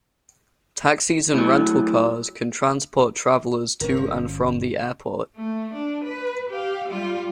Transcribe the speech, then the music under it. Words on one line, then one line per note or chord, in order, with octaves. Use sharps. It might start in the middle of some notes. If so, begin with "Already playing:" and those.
Taxis and rental cars can transport travelers to and from the airport.
A2 F#3
G1 C#4 A#4 C#5
F3
A3
D4
B4
G4 F5
G3 F4